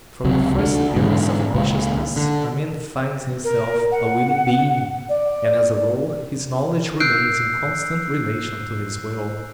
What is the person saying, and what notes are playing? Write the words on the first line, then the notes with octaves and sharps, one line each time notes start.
From the first appearance of consciousness, a man finds himself a willing being, and as a rule, his knowledge remains in constant relation to his will.
C#2 C3 F#3
D2 D3
G#2 D3 E3
C#2 A#2
D3
A#4
F#5
D5
E6 F#6 G6 C7 D7